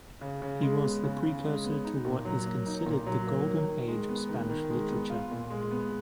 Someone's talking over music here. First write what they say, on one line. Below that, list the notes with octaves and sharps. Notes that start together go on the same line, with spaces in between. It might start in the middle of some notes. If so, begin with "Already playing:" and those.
He was the precursor to what is considered the golden age of Spanish literature.
C#3
C#3
G#3
B3
C#3
C#3
G#3
B3
D#4
A#2
F#3
A#3
D#4
A#2
F#3
A#3
D#3
D#3
G#3
B3
D#3
D#3
G#3
B3
F4
A#2
G#3
B3